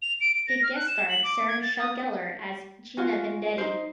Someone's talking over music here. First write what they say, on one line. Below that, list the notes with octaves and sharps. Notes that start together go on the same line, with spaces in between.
It guest-starred Sarah Michelle Gellar as Gina Vendetti.
F7
D7
D7
A#6
F6
F#6
E7
F#7
D6
G#6
A6
D#6
F4 F#4 G#5
D#4 C5